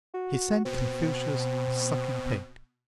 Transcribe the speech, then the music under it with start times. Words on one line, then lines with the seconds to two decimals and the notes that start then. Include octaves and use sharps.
He sent Confucius a sucking pig.
0.14 F#4
0.65 B2 C4